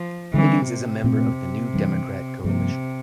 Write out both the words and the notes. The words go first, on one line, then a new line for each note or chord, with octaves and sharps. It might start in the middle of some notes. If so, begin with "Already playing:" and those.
Higgins is a member of the New Democrat Coalition.
Already playing: F3
D3 E3 G3 C4
C3
A#2 A3 C4
G2 E3 G3
G2 C3 F3 A#3